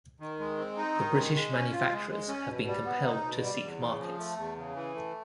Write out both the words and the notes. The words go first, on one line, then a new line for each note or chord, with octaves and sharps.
The British manufacturers have been compelled to seek markets.
D#3
G#3
C4
D#4
D#3
G#3
G#3
C#4
F4
G#3
G#3
C#4
B2
G3
B3
D#4
B2
G3
E2
C#3
F3
A3
E2
C#3
E3
A3